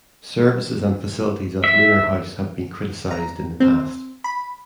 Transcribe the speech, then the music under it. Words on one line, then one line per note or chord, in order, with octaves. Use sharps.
Services and facilities at Lunar House have been criticised in the past.
E5
A#5
C4
B5